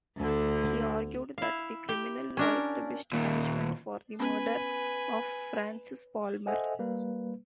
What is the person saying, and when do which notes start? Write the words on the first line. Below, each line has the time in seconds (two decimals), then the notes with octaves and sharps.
He argued that the criminal law established punishment for the murder of Francis Palmer.
0.18 D2 D3
1.38 E4 F5
1.89 G4
2.37 C#4 D4 A#4
3.13 D#2 A#2
4.20 B3 C#4 B4 G#5
6.47 A4 C5 D#5 E5 F#5 G#5
6.79 G3 A#3 B4